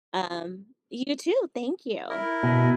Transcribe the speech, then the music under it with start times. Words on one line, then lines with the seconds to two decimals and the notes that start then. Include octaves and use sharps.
Um, you too. Thank you.
2.10 E4 A#4
2.43 B2